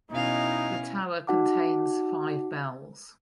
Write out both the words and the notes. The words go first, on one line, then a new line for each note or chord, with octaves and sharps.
The tower contains five bells.
B2 C#4 D#4 E4 F5
D#4 F#4 F#5 A5 D6